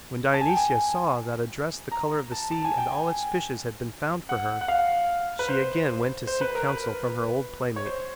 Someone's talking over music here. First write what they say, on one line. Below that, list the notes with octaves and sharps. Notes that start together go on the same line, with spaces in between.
When Dionysia saw that a dress the colour of the sea and all its fishes had been found for her she again went to seek counsel from her old playmate.
A5
G#5
G5
G#5
A#5
A5
A5
G#5
G5
G#5
F#5
F#5
F5
B4
C5
C5
B4
A#4
B4
C#5
C5